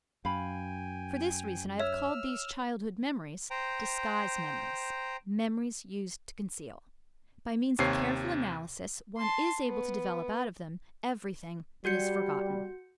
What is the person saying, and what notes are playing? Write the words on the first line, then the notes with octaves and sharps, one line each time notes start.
For this reason I have called these childhood memories "disguise-memories," memories used to conceal; by means of careful analysis one is able to develop out of them everything that is forgotten.
F#2 F5 G5 G#5 B5
C#5 E5 E6 F6
C5 G5 A#5
D#2 C3 C#5 C7
A5 C6
B3
G3 F#4 G6 C#7